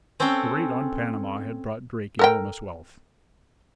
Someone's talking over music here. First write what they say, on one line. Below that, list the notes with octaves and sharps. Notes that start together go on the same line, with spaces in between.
The raid on Panama had brought Drake enormous wealth.
C4 C#4 A4 C5 G5
A4 A#4 G5